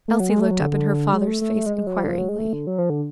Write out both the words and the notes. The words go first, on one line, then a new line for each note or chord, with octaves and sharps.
Elsie looked up in her father's face inquiringly.
A3
F#3
G#3
A3
F#3
D3
D3
G#3
A3
A3
A3
G#3
G#3
F#3
F3
D3
F3
F#3
G#3
A3
D3
F#3
F3
D3